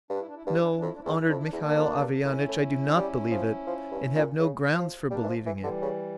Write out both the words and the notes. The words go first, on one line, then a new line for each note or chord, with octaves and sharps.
"No, honoured Mihail Averyanitch; I do not believe it, and have no grounds for believing it."
G2 D4
E4
D4
E4
D4
G2 E4
D4
E4
D4
F2
E4
D4
E4
E2
D4
E4
D4
F2
E4
D4
E2 E4
A#3 D4
F2
G2
A2 C#4 E4
A2
G3
F3
F3
G2
A#2
C#3
F3
G3 A#3 D4
E3
F3
E3
E3 G3
D3
C#3